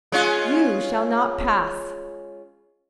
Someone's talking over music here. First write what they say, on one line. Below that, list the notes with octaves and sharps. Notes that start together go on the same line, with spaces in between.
"You shall not pass!"
G#3 C#4 F4